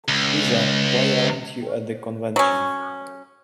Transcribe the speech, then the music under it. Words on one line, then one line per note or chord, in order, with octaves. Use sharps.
Lisa, why aren't you at the convention?
C#2
F#3 C#4